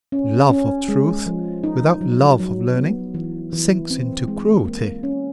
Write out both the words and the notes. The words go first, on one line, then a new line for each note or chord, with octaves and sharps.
Love of truth, without love of learning, sinks into cruelty.
C#4
C#4
G#3
F3
D#4
F#3
F#3
B3
E3
E3
C4
G#3
A#3
C#4